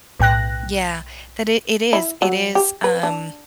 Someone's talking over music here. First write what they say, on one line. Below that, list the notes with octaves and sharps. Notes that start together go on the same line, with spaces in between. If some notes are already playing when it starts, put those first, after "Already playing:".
Yeah. That i it is it is, um
B1 A2 G5 F#6 A#6
E4
F#3
G4
B4
D4